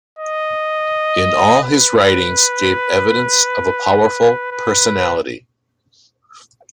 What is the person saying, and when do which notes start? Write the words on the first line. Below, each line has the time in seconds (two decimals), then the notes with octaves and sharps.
In all his writings gave evidence of a powerful personality.
0.19 D#5
1.64 B4
4.52 B4